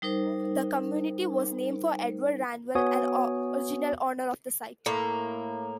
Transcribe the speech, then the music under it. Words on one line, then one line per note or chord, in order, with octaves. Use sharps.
The community was named for Edward Randall, an original owner of the site.
G3 D#4 A#4 C5
B3 F#4 C#5 G#5 D#6
A2 A#3